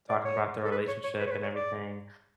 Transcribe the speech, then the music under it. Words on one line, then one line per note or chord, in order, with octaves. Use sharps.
talking about their relationship and everything,
D5
C#5
A4
B4
C#5
C#5
B4
C#5
B4
C#5
D5